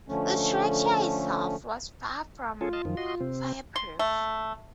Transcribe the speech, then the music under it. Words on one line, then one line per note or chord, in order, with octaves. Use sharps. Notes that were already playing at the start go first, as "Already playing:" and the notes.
The structure itself was far from fireproof.
D3 F3 A3 C#4
C#4 F4 G#4 A4
D#5 F5 A5
F#2 D#3 F3
F#4 D#5 C6
C3 C4
C6
A3